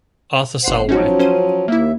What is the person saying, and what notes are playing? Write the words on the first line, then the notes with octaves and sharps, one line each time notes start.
Arthur Salwey.
G1 C5 F#5 C7
F3 F#3 C#4 D#4 F#4
C#4 C5 D#7
D#2 A#3 E4 E5